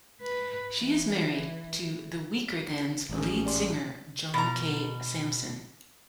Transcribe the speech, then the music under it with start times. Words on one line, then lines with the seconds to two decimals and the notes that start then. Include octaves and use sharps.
She is married to The Weakerthans' lead singer, John K. Samson.
0.21 B4
0.78 E3
3.10 A1 G#2 C#4
3.45 G4 D5 C6
4.34 B2 A#5